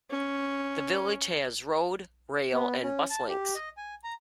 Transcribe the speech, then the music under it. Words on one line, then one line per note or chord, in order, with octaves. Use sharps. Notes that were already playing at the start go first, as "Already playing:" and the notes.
The village has road, rail and bus links.
C#4
B3
C#4
A5
G4
D#5
G#5
A#5